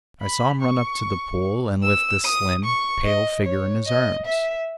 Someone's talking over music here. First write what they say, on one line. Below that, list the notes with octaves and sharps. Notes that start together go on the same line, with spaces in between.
I saw him run up to the pool and lift the slim, pale figure in his arms.
B5
C#6
E6
D#6
C#6
D#5
C#5
D#5
E5